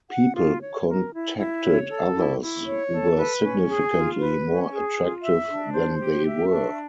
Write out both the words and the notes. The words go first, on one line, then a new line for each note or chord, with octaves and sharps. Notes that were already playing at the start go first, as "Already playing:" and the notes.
People contacted others who were significantly more attractive than they were.
F#5
F4
C#5
A#4
E4
E4
C#5
A4
E4
E4
C#5
A4
B4
C#4
G#4
F4
B4
C#4
G#4
F4
E5
D4
C5
G4
E5
D4